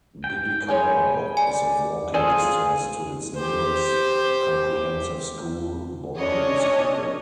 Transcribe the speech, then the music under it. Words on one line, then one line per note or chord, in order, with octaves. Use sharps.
Biddick Hall is of walking distance to its nearest 'Comprehensive School', Boldon School.
G5
G3 G#3 C#5 G#5
D5 G#5
F4 G#4 A4 C5 D5
G4 C5
C#4 D4 C#5 D#5